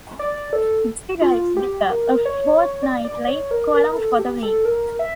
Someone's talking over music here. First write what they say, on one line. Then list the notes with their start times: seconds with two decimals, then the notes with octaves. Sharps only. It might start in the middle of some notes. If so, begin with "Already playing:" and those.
De writes Detour, a fortnightly column for The Week.
0.19 D5
0.53 A4
1.22 F4
1.57 G4
1.90 A#4
2.25 C#5
2.59 C#5
2.83 D5
3.05 D5
3.28 C#5
3.51 A#4
3.74 A#4
3.96 A4
4.19 G4
4.43 A4
4.65 A#4
4.99 E5